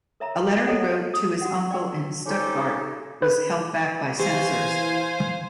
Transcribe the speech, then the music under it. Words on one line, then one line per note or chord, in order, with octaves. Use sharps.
A letter he wrote to his uncle, in Stuttgart, was held back by censors.
A#4 C#5 E5 A5 A#5
A4 C#5 D#5 F#5
D#6
F#4 F#5
D5 G5 E6
C4 C#4 D#4 F#4 G4 A4
B4
E3 G4 C5 F5 G#5